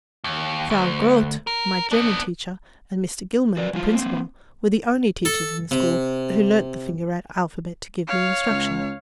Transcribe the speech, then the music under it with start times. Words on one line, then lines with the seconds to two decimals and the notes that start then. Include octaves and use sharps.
Frau Grote, my German teacher, and Mr. Gilman, the principal, were the only teachers in the school who learned the finger alphabet to give me instruction.
0.24 D#2
0.70 D2
1.47 A#4
1.92 B3 D4
3.57 F#4 B4 D5
3.73 F#3 E4 F4
3.95 A#3 C4
5.25 A4
5.71 C3
8.07 C#5 F5
8.49 C#2